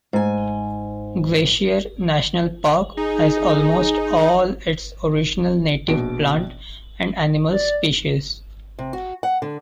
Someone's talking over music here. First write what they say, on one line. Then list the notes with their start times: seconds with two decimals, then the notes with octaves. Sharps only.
Glacier National Park has almost all its original native plant and animal species.
0.13 G#2 G#5
2.97 D#4 G#4
5.88 A#1 B2 D7
7.52 D5
8.79 C3
8.93 F#4
9.23 F#5
9.42 D3